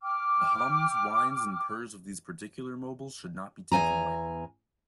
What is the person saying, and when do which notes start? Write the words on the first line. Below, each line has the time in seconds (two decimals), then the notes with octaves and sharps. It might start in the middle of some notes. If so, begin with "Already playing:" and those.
The hums, whines and purrs of these particular 'mobiles should not be taken lightly.
0.02 G5 D6 F6
3.72 E2 G2 G#5 A#5